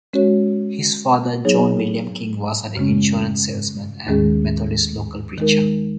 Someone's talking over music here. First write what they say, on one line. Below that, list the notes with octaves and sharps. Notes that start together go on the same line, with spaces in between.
His father John William King was an insurance salesman and Methodist local preacher.
G#3 C#4 F#4 C#5
F#3 B3 D#4 G#4 C#5
F#2 C#3 G#3 C#4
D#2 D#3 G#3 C#4 G#4
D#3 G#3 D#4 A#4